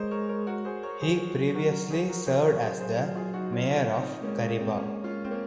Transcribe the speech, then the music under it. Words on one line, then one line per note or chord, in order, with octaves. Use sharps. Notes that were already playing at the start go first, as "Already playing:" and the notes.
He previously served as the Mayor of Kariba.
Already playing: G#3 A#4 C5 C#5 D#5
A#4 C#5
A#4 C#5
F#4 A#4
G#4 C5
A#4 C#5
F#3 G#4 C5
F#4 A#4
F#4 A#4
G#4 C5
F3 F#4 A#4
G#4 C5
F#4 A#4
F#3 G#4 C5
G#4 C5
F4 G#4
F4 G#4
D#4 F#4
C#4 F4
C#4 F4
C4 D#4
G#3 A#3 C#4
A#3
C4
A#3 C#4
C#4 F4
C4
A#3 C#4